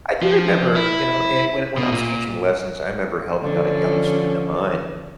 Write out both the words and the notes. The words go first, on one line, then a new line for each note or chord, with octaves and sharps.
I do remember, you know, eh, when when I was teaching lessons, I remember helping out a young student of mine,
F3
E4
B2
A#2
D3 F3 C#4